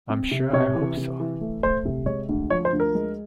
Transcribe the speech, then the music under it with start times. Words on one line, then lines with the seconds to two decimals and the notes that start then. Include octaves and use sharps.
I'm sure I hope so.
0.10 C4
0.31 C3
0.53 C3 C#5
0.75 E3
0.97 C3
1.20 E3
1.41 A3
1.63 A3 C5
1.85 C3
2.06 G#3 C#5
2.29 D2
2.50 F3 C#5
2.65 C5
2.73 D2
2.80 A#4
2.95 G#3